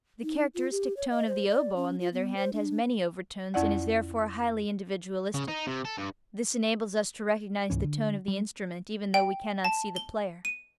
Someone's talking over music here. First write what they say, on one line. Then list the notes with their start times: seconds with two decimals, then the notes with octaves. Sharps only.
The characteristic tone of the oboe on the other hand has many overtones and is therefore highly individualistic: this enables us to recognize the tone of the instrument even though we cannot see the player.
0.23 D#4
0.55 F4
0.71 G4
0.97 C#5
1.10 D#5
1.27 C5
1.49 D5
1.76 C#4
2.00 F4
2.13 B3
2.37 C5
2.53 D4
3.54 F2 C#4 E4 D5 F#5
5.34 C#3
5.48 D#4
5.67 C3
5.85 A4
5.98 G2
7.70 C#2 G#2 E3 C#4
7.84 D3
8.28 G3
9.14 G5
9.65 A5
9.96 G7
10.45 D#7